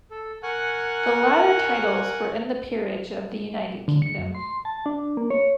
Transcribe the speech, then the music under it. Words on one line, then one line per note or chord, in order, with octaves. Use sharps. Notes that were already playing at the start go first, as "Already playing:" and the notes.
The latter titles were in the Peerage of the United Kingdom.
A4
A#4 F#5 G#5 C#6 F#6
D3
C#7
F#2
C6
A5
D4
A#3
C#5